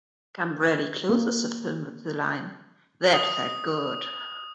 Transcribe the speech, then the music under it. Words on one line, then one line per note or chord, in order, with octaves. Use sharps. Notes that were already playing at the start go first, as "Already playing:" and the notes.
Gambrelli closes the film with the line: That felt good!
A#3
D#6